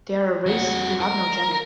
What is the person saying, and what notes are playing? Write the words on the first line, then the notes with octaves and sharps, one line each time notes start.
They are a race who have no gender.
F2 F#4
A#4